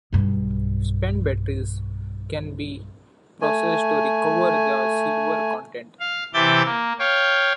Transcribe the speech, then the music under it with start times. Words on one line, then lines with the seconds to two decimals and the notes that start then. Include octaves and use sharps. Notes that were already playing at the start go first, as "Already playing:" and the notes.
Spent batteries can be processed to recover their silver content.
0.12 B1 G2
3.41 A3 G#5
6.00 F5
6.34 C3 E3 E5 D6 G6 A6
6.65 A#3
6.99 C#5 F5 G5